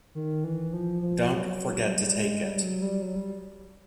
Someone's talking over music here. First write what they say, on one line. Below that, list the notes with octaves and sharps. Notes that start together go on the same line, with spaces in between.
Don't forget to take it!
D#3
E3
F3
F3
F#3
G3
G#3
G3
F#3
G3
F#3
G3